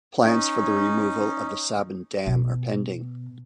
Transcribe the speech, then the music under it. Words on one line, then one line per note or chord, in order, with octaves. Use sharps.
Plans for the removal of the Sabin Dam are pending.
C#4 D#4
B2